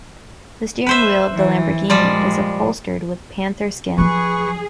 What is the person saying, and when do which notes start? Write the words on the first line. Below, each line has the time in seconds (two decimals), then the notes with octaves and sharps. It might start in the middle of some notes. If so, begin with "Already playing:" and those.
The steering wheel of the Lamborghini is upholstered with panther skin.
0.86 B4 C5 E5
1.34 E3
1.90 A#2 F3 G3 G#3 D5
3.98 F3 F#3 G#4 B4 C#6